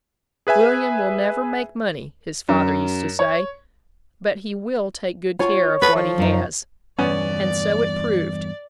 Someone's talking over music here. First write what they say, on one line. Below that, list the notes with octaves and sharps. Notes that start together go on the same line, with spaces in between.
"William will never make money," his father used to say; "but he will take good care of what he has." And so it proved.
G#4 B4 E5 G#5
F#2
C#5
F4 C#5 G#5 C#6
A4 B4
F3
F#2 D#4
E2 G2 B3 C#4 D5